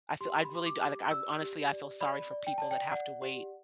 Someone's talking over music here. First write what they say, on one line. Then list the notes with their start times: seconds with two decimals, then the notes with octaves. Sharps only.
I feel I really I don't like, honestly, I feel sorry for people that have to wait.
0.21 G4 C6
0.45 B5
0.51 G4 C6
0.66 D6
0.81 G4
1.11 D5 E6
1.42 G4
1.71 D5
2.01 D5 B5
2.31 D5
2.47 G5
2.58 D5 A5
2.71 G5
2.92 D5 F#5
3.22 G4